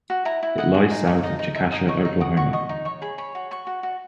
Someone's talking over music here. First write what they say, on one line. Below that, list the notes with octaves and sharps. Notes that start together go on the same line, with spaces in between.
It lies south of Chickasha, Oklahoma.
F#4
E4 A#5
E4
D#5 F#5
G#4
D#4
D#4
D#4 D#5
D#4
D#4 E5
D#4 D#6
D#4 C#6
D#4
F#4 D#6
F#4 C#6
D#5 C#6
D#4
C#5 C#6
G#4 B5
C#5 B5
F#4
F#4 C#6
F#4
F#4